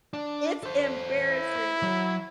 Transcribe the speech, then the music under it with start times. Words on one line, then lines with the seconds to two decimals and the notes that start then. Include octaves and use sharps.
It's embarrassing,
0.13 D4
0.63 A4 C5
1.30 E4
1.82 F#3